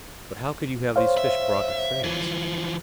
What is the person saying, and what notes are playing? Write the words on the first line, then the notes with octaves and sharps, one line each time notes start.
"But how could you have these fish brought to France?"
C5 C#5 F5
E5
E3 F3